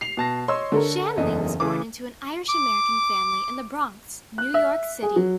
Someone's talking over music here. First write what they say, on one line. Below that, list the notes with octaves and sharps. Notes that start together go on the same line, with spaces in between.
Shanley was born into an Irish-American family in The Bronx, New York City.
C7 F7
B2 A5 A#6
C#5 D#5 C6 E6
D3 A4 A#4
F#1 E2 D#5
C#3 E3 G#4 D6
D6
F#6
E5
G#4
F#3